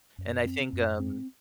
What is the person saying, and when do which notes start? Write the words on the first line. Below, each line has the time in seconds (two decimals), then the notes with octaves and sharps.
And I think, um
0.18 F#2
0.46 C4
0.73 F#2
1.00 C4